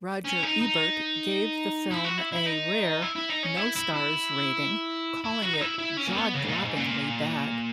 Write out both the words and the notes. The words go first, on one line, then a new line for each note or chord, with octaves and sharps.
Roger Ebert gave the film a rare no-stars rating, calling it jaw-droppingly bad.
C#4
D#4
D#4
E4
F#4
E4
E4
D#4
E4
E4
D#4
C#4
E4
E4
E4
E4
F#4
D#4
E4
E4
C#4
A#3
B3
C#3
G#2
A#2
G#2
A#2